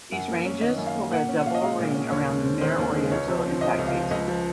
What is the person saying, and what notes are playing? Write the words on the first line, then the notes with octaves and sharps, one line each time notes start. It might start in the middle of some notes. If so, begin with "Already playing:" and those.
These ranges form a double-ring around the Mare Orientale impact basin.
F#2 F#5
A#3
C#4
D#3 D#5
F#2
F5
A#3
A#2 F#5
C#4
F#5
A#2 F5
D#5
G#3 F5
A#2
C#4
D#2 C#5
G#3
C4
D#3 C5
D#2
G#3
C#2 C#5
F3
C4
C3 D#5
C#2
F5
F3
C#2 D#5
F3